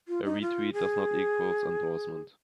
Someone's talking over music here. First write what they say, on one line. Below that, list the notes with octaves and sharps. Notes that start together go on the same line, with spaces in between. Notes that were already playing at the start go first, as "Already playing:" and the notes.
A re-tweet does not equals endorsement.
F4
D#4
F4
G#4